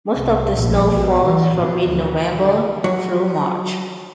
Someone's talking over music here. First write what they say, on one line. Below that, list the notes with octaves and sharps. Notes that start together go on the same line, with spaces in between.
Most of the snow falls from mid-November through March.
C2
A#1
B2
E3
B2
D2
D3
F#3